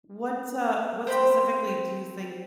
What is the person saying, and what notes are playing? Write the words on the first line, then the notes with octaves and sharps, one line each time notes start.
What, uh, what specifically do you think,
C4 C5 G5 B5